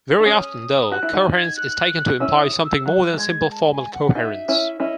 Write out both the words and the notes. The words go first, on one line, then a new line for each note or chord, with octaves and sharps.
Very often, though, coherence is taken to imply something more than simple formal coherence.
D#4 C#6
C#4 D#6
F#4 F#6
E4
D#4 F#4
G#6
F#6
C#4 E4 E6
D#6
E6
F#3 F#6
A3
G#3 G#6
A5
G#5
F#5
D#4 F#4 E5
C#4 E4
C#4 E4 D#5